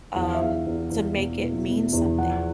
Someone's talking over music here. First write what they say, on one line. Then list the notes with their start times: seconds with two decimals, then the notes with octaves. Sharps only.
um, to make it mean something.
0.15 E2 F#5
0.24 F5
0.33 E5
0.40 E2 F5
0.66 E2
0.91 E2
1.16 B2
1.42 B2
1.67 B2
1.92 E2
2.18 F3 F#5